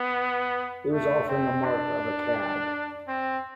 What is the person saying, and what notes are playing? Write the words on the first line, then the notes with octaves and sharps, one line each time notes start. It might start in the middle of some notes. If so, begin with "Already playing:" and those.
It was often the mark of a cad.
Already playing: B3
A3
C4
D4
C4